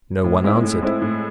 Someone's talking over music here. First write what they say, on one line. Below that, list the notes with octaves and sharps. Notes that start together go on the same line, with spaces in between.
No one answered.
A2
G#3 C4 E4
A2
G#3 C4 E4
A2